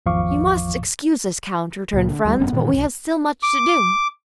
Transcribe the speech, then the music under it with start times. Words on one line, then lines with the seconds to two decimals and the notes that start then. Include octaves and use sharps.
"You must excuse us, count," returned Franz, "but we have still much to do."
0.06 G#1 E2 F3 F5 C#6 D6
1.93 C#2 A#2
2.10 D3
2.25 D#2 G3
2.39 F1 G2 B3 C#4
2.52 G2 A#2 D#3 E3
2.73 B1 G#2
3.43 D6